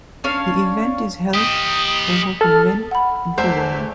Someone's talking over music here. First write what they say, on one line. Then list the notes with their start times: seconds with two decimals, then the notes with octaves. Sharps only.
The event is held over for men and for women.
0.24 C#4 D4 C#5 F5
1.34 G4 D#5 D#6
2.41 A4 F6 A6
2.91 F#5 B5
3.38 E2 A3 C5 E5